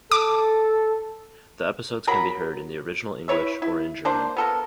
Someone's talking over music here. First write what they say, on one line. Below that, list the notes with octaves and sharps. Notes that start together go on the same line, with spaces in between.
The episodes can be heard in the original English, or in German.
A4 D6
F#3 A#4 A#5 B5
E4 B4 C#5 E5
E4
A#3 D4 C5
B3 A4 A#4